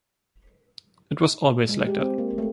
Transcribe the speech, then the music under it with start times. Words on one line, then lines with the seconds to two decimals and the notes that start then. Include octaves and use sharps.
It was always like that.
1.69 G#3
1.87 G4
2.01 C4
2.18 A#3
2.38 A3